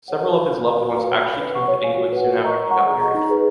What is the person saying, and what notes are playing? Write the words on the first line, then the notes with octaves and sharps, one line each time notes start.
Several of his loved ones actually came to England soon after he got married.
G#4 C#5 F#5
B4
F5 B5
A#4
F5 A#5
F#4
B4 F5
C#5
F5 G#5 B5
B4
F#5 C#6
C#5
F5 G#5
F#4
B4 F#5
A#4
D#5 A#5 C#6
C#5
F#5 A#5 C#6
G#4
D#5 F#5 A#5 C#6
D#4
G#4 B4